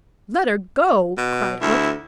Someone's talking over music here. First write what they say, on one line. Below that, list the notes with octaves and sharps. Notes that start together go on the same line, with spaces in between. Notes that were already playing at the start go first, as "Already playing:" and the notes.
"Let her go!" cried Hook.
B2
D2 E4